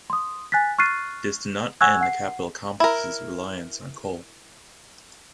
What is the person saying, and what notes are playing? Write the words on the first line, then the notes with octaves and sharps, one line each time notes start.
This did not end the Capitol complex's reliance on coal.
C6 D#6
G#5 F#6 A6 B6
C#6 F6 F#6 A6 C7 D#7
F#5 G#5 C#6 E6 F#6 G#6
F#5 C7
E4 A#4